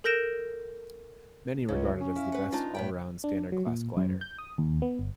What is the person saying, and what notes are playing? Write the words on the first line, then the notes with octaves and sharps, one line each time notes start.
Many regard it as the best all-round standard class glider.
A4 A#4 G6 A#6 D7 E7
C#2 C#3
C#4
E4 F5
B4 F#5
D4 D#4 F4
A2 B3 G5
D4
F#3
A#2
F#2
G6
D#6
D#2
B3
G1